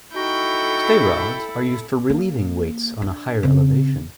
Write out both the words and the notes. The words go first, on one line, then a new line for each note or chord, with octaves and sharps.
Stay rods are used for relieving weights on a higher elevation.
D#4 E4 F#4 A4 G5
A#3
D4
C#3 C4